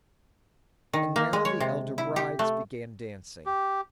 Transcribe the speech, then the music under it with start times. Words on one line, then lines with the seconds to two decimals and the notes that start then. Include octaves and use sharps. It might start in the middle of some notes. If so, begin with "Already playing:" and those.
And now the elder brides began dancing.
0.93 D#3
1.16 A#3
1.33 G#3
1.45 C#5
1.60 C3
1.98 E4
2.16 G4
2.39 A3
3.46 G4